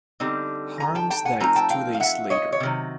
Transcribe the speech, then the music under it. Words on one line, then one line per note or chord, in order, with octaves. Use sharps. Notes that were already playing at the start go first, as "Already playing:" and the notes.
Harms died two days later.
D3 G3 C4 D#4
G#5 A#5
G5 A5
G5 A5
F#5 G#5
F3 A3 C4 D#4 G#5 A#5
G5 A5
F5 G5
F5
E5 F#5
C#5 D#5
C#5
C3 D#3 F#3